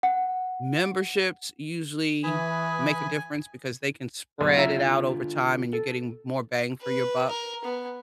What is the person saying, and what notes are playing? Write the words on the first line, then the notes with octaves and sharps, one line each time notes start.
memberships usually make a difference because they can spread it out over time and you're getting more bang for your buck,
F#5
E3 B4 G#5 D#6
B1 G#4
D3 E4 F4 E5 A#5
A4
B4
A#4
B3